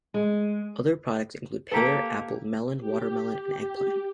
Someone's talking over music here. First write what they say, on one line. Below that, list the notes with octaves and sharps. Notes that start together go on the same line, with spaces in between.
Other products include pear, apple, melon, watermelon and eggplant.
G#3
A#3 G4 A4 B4 A#5
G4